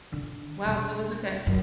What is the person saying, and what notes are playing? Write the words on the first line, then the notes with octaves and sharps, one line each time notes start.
Wow, so it was like a
D3
E1
F#2